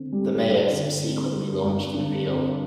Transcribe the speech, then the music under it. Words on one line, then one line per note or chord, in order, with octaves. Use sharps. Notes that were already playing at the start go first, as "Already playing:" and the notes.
The mayor subsequently launched an appeal.
Already playing: D3 C4
G3
G2
D3
C4
G3
G2
D3
C4